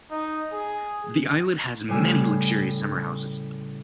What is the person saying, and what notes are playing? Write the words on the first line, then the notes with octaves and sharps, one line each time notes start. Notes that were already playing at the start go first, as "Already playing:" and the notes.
The islet has many luxurious summer houses.
D#4
G#4
A2 C#3 G3 G#5 E6